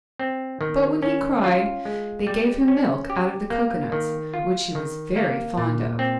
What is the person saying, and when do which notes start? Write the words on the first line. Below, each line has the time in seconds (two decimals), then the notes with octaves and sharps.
But when he cried they gave him milk out of the cocoanuts which he was very fond of.
0.19 C4
0.61 D#3
1.02 C#4
1.44 F4
1.85 G#3
2.27 G3
2.68 C#4
3.10 G4
3.50 A#3
3.92 D#3
4.34 F4
4.75 D#3
5.16 A#3
5.58 A#2
5.99 C4